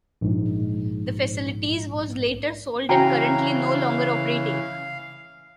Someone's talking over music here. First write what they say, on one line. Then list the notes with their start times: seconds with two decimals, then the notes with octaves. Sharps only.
The facility was later sold and is currently no longer operating.
0.21 A#1 G#2
2.89 C#3 E3 C#4 F#4 F5 G5 G#5 A#5